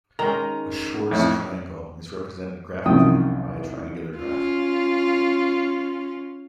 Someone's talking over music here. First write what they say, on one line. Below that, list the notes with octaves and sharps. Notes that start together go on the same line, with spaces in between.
A Schwarz triangle is represented graphically by a triangular graph.
D#3 G#3 C#4 A#5
F2 A2
C2 F#2 D#3 F3 G5 D#6
C#4 F4